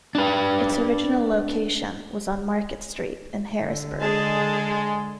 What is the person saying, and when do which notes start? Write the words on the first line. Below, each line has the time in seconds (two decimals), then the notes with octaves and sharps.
Its original location was on Market Street in Harrisburg.
0.15 D4 B4
3.58 D3
3.99 G#3 G#4 A5